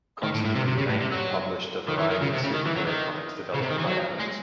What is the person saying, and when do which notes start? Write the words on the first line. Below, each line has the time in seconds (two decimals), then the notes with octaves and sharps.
Continuity mainly published a variety of superhero comics developed by Adams.
0.23 D#3
0.34 A2
0.45 A2
0.56 C3
0.67 C3
0.78 C#3
0.89 A2
1.00 C3
1.12 F#3
1.88 D#3
1.99 E3
2.10 D#3
2.21 C#3
2.33 C3
2.44 C#3
2.54 D#3
2.66 E3
2.76 F#3
2.88 D#3
3.54 C#3
3.61 C3
3.70 D#3
3.78 E3
3.86 F#3
4.20 G#3